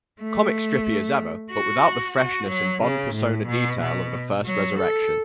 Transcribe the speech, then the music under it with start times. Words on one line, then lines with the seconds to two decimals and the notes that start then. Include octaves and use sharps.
Comic-strippy as ever, but without the freshness and Bond-persona detail of the first resurrection.
0.21 A3
1.52 F#4
2.17 F#4
2.50 F#3
2.82 C#3
3.15 A2
3.47 B2
3.80 B2
4.45 F#3
4.79 A4